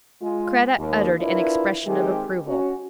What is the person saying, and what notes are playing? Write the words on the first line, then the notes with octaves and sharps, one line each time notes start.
Kreta uttered an expression of approval.
G#3 F4
D#2
D4 E4 F4 A#4 B4
D#3 G#3 C4 G4
C#4 F#4